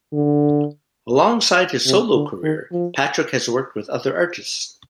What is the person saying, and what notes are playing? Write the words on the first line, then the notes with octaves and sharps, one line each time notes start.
Alongside his solo career, Patrick has worked with other artists.
D3
C3
D3
D#3
F3